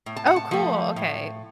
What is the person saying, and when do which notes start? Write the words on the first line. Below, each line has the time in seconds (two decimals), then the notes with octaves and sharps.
Oh, cool, okay.
0.06 A2
0.16 A5
0.27 F#5
0.36 A5
0.51 F3 A3
0.96 A2